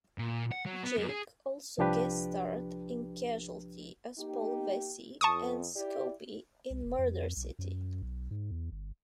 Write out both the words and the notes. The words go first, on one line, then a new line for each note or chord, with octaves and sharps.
Jake also guest starred in "Casualty" as Paul Vessey and Scobie in "Murder City".
A#2
F#5
F#3
B3
F#2
G#4
C2 F3 D4 G4 B4
A#3 D#4 G4
F2 A5 C#6 D#6
E4 G4 D5
C2
F1
F2
B1
F#2
B1
G#2
E2
G1